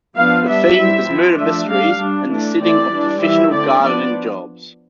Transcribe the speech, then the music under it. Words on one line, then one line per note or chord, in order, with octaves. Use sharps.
The theme is murder mysteries in the setting of professional gardening jobs.
F3 B3 D4 F5
G3 D4 E5
G3 C4 E4
F3 C4 E4
F3 A3 D4 E5
G3 D4 F5
G3 D4
E3 A3 D4
E3 A3 C4 E4 D5
E3 G3 D4
E3 G3 C4 E4 E5
D3 A3 C4 D5
F3 B3 D4 D5